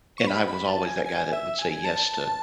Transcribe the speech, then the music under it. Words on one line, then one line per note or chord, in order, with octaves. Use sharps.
And I was always that guy that would say yes to,
C#6
B5
B5
A5
G#5
G#5
E5
G#5
A5